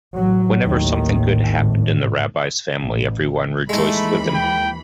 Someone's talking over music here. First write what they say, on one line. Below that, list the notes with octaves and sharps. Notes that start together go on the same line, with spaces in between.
Whenever something good happened in the rabbi's family everyone rejoiced with him.
A1 F#3
A1 D#2 A2 D#3
G#1 A2
A1
D#2 E3 G#3 A3 D#4 B5
G5